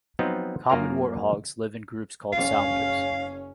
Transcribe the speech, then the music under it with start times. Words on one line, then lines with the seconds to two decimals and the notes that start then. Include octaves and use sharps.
Common warthogs live in groups called sounders.
0.19 F3 F#3 B3 C4 D#4 F4
0.70 F#2 A#3 F4 A#4 C#5 A#5
2.33 F#1 C#4 F5